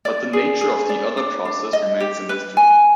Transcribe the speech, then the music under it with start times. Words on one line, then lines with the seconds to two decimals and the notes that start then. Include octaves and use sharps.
But the nature of the other process remains a mystery.
0.05 D5
0.33 G#4
0.61 G#4
0.89 D5
1.17 D4
1.45 D4
1.73 D#5
2.00 G4
2.29 B4
2.57 G#5